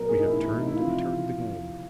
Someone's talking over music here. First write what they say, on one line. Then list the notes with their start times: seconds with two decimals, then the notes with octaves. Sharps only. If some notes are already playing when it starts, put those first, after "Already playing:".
"We have turned and turned again."
Already playing: B2 F#3 A#4
0.09 G#4
0.19 D#4
0.26 A2 E3 E4
0.59 D#4
0.67 E4
0.76 C3 F3 F4